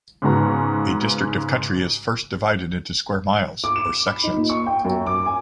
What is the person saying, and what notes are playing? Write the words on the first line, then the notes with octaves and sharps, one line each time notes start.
A district of country is first divided into square miles, or sections.
G#2 C#3 B3 F#4 A#5 C#6
D6
E7
B5
D#4
A#2
C#6
G5
F#2
D6
G#5